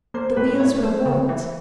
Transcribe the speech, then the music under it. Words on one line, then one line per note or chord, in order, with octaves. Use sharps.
The wheels were warped.
A#3 C5
A2 B4
A2 C#5
A3 C5
C#3
E3